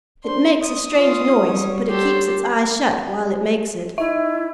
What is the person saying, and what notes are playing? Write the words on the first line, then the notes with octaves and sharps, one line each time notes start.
"It makes a strange noise, but it keeps its eyes shut while it makes it."
D4 C5 C6
D#6
C#4 F4
G3 F#4 C#5
G4 A4 C5
D#4 E4 E5